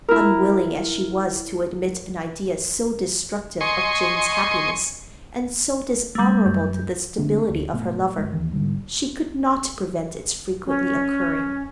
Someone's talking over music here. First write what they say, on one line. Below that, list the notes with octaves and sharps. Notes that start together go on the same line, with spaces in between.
Unwilling as she was to admit an idea so destructive of Jane's happiness, and so dishonorable to the stability of her lover, she could not prevent its frequently occurring.
E4 A#4
D#5 G#5 C6 C#6
G3 A3
F#2 G6
D3 A3 C4 D4
D2
F#1 A#2 A3 B3
G1 G#3
D#2 C3 D#3 E3
G#2 D3 G3
C#4